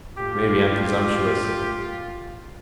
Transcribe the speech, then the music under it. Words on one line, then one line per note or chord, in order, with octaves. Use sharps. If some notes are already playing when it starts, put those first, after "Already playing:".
Maybe I'm presumptuous.
A2 F4 G4